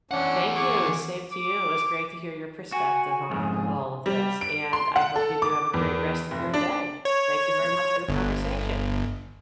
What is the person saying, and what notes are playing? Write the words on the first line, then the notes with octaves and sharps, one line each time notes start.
Thank you, same to you, it was great to hear your perspective on all of this, and I hope you do have a great rest of your day. Thank you very much for the conversation.
E3 C#4 D4 F#5
G#4 C#6 D6
D6
F#4 G#5
C2 F2 G#2 G#4
G3
D7
C6
F#5
A4
D6
E2
F1
D4
C#5
G1